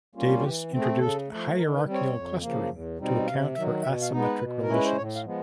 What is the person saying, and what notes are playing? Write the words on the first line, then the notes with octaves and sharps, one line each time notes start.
Davis introduced "hierarchical clustering" to account for asymmetric relations.
G3 A#3 C#4 F4
F#4
E3 G4
A3 C4
G#4
C#3 A4
F3 A3
D#3 A#4
B4
G3
C4 C#5
F2
C#3 F3 A#3
E2
B2 G3 C4 D#4
C3 F5
D#3 F#3 E5
B2 E5
F5
G#3 B3 D#4
B4
B2
A#4
G#3 C#4 E4
B4
C5
A2 C#5
F5
F3 G#3 B3